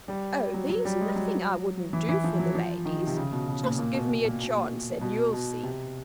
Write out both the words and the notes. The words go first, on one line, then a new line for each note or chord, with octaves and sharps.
"Oh, there is nothing I wouldn't do for the ladies; just give me a chance and you'll see."
G3
F#3
F#3
G3
G#3
F#3
E3
E3
F3
F#3
F3
D#3
C3
C#3
B2
B2
A#2
A#2
B2
A#2
A#2
B2
A#2
B2
B2
C3